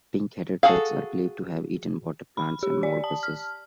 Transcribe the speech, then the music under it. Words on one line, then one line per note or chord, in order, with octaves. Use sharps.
Pink-headed ducks are believed to have eaten water plants and molluscs.
F#4 G#4 A4 F5
B5
G4
D5
A5
F6